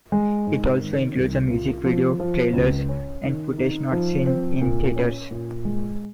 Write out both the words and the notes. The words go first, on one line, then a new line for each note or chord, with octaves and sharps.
It also includes a music video, trailers, and footage not seen in theaters.
G#3
G#2
D#3
C2
F4
F3
F3
C#2
C#4
D#3
D#4
F3
C4
A#2
C#4
A#2
G#3